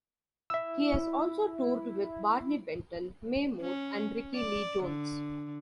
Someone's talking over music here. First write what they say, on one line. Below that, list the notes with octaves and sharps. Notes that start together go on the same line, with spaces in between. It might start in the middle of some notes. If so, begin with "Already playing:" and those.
He has also toured with Barney Bentall, Mae Moore and Rickie Lee Jones.
E4 E5 E6
C#4
D5
D3